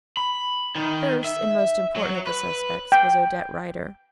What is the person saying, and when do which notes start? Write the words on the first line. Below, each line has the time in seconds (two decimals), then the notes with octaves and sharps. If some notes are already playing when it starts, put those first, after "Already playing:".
First and most important of the suspects was Odette Rider.
0.17 B5
0.75 D#3 D#4
1.24 E5
1.96 F#3
2.27 B4
2.92 G5